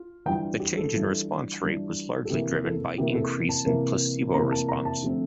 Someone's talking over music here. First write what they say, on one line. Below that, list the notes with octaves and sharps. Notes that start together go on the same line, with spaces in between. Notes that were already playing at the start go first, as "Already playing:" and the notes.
The change in response rate was largely driven by increase in placebo response.
Already playing: F4
E3 G3 D4 F4 G5
G4
A4
E3 G3 D4 F4
E3 G3 D4 F4
A4
C3 E3 A#3 G4
A4
C3 E3 A#3 G4
A4
A5
C3 E3 A#3
C3 E3 A#3 A#5
A5
A#5
A5
D3 F3 A3 C4